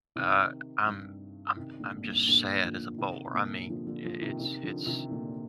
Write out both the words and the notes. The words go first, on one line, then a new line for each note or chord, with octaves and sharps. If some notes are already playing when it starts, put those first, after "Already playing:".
uh, I'm I'm I'm just sad as a bowler, I mean, i it's it's
C3 D#3
G2
C3 D#3
A#2 D3
G2 A#2
A#2 D3
D3 F3
C3 D#3
C3
A#2 D3
D3 F3
D3 F3
D3 F3
C3 D#3
C3 D#3
D3 F3
C3 D#3
A#2 D3